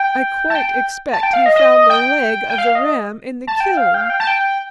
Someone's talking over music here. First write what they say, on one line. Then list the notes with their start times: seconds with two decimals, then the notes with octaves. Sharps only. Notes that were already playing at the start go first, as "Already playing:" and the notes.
I quite expect he found a leg of the ram in the kiln.
Already playing: G5
0.50 A5
0.55 G5
1.13 A5
1.23 G5
1.33 F5
1.46 D#5
1.56 D#5
1.90 G5
2.50 G5
2.58 F5
2.75 D#5
3.47 A5
3.60 G5
3.77 F5
3.94 G5
4.01 F5
4.10 G5
4.20 A5
4.27 G5